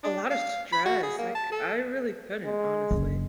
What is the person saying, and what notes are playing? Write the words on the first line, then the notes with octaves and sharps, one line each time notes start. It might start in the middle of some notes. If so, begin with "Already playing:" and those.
A lotta stress I cou I really couldn't honestly,
D4
F5
B5
F#4
G#4
A#3
A5
A4
G#3
F#1